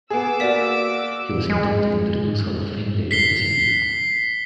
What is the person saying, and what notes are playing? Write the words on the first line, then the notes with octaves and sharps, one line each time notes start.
He was inducted into the Blues Hall of Fame later the same year.
B3 G#4 D6 E6
A#3 F#4 D5 B6
G#3
B6 C7 G7